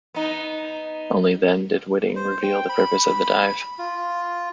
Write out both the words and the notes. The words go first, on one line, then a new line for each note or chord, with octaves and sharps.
Only then did Whiting reveal the purpose of the dive.
B3 D#4
C5
G5
B5
F4